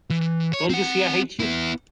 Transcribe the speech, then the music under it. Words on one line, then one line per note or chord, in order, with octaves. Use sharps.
Don't you see I hate you.
E3
C#5
C4 F#5
B3 E4